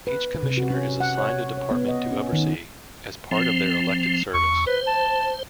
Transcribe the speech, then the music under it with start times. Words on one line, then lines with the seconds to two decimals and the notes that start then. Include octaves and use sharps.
Each commissioner is assigned a department to oversee as part of their elected service.
0.07 B4
0.43 C3
0.57 F#4
0.70 C#4
1.00 F#5
1.18 C#5
1.58 C#5
1.71 B3
1.88 D#5
2.11 C#4
2.33 D#3
3.31 F3 C4
4.34 E2 C#6
4.67 B4 C5
4.87 A5